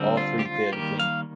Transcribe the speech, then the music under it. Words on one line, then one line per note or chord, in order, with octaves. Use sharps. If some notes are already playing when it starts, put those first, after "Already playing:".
All three failed the king.
Already playing: D3 G3 C4
F4
G4
F4
D#3 G3 A#3 G4
F5